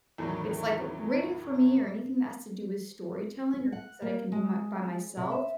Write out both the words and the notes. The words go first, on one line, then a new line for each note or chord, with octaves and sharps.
it's, like, reading for me or anything that has to do with storytelling or things that I can do my by myself
E2 A2 D3 D#3 F#3 G3
F#5
A#3
G#3
C3
E5